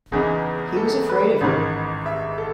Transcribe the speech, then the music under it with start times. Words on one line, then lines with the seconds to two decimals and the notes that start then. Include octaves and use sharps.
He was afraid of her.
0.12 E2 C#3 E3 B3 D#4 G#4
0.76 A4
1.09 B4
1.41 A1 G#2 D#3
2.06 E5
2.38 A4